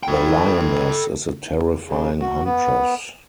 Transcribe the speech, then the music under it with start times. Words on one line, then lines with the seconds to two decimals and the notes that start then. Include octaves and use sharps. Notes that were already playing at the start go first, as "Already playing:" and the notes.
The lioness is a terrifying huntress.
0.03 A4 G5
1.88 C#3
2.21 F#4
2.44 B3